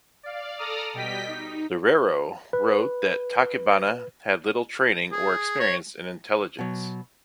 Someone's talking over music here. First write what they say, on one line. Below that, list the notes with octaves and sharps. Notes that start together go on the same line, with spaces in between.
Loureiro wrote that "Tachibana had little training or experience in intelligence".
D5 F5
A4 D5 A#5 D6 D#6 F6
B2 G3 D#5 G5 B6
D#4
B4
G#4
C#5
B2 F#3